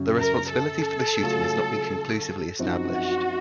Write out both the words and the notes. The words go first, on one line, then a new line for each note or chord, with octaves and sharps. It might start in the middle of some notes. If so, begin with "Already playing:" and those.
The responsibility for the shooting has not been conclusively established.
Already playing: F#2 C#3 F#3
A#4
A4
C#3 F#3 A3 C#4 F4
F#2 F3 C4 D#4 F#4